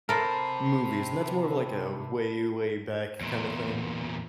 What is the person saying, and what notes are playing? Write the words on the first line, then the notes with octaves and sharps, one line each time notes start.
movies, and that's more of like a way, way back kind of thing,
C3 A4 A#4 C5 A5 B5 C7
E2 A#2